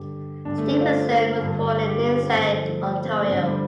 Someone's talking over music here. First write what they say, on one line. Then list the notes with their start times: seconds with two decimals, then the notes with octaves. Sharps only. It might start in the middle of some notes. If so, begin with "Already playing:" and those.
Stevenson was born in Lindsay, Ontario.
Already playing: G2 D3 G4
0.45 G2 D3 D4
0.58 A3
0.70 C4
0.81 F4
1.41 G2 D3
1.87 G4
1.99 F4
2.22 C4
2.34 G2 D3 C4
2.47 A3
2.58 F3
2.69 F3
2.82 A3
3.05 C4
3.17 A3
3.29 G2 D3 C4
3.44 G3